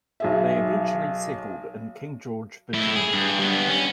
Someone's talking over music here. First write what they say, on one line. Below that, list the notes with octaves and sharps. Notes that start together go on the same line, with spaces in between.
They eventually settled in King George, Virginia.
B1 G#4 E5
A2 E4
G#4
G2
G2 B3
C#4